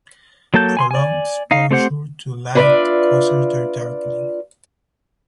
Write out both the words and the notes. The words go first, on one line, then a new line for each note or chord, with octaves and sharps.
Prolonged exposure to light causes their darkening.
F#3 A#3 A4 A5 G6
G#5 B5 C6
D5 G#5
D#4 F5
A3 C4 G4 C5 F#5
D4 F4 B4 C#5 D5 E5